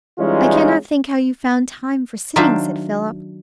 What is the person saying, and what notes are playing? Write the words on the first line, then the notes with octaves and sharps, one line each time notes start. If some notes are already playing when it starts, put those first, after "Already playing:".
'I cannot think how you found time for sitting,' said Philip.
E3 G3 G#3 C#4 D#4 F4
D#3 F#3 D4 C5 E5 F5